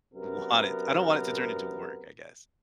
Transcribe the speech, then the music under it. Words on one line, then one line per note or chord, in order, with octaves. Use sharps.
want it I don't want it to turn into work, I guess.
F#2 C3 B3 A#4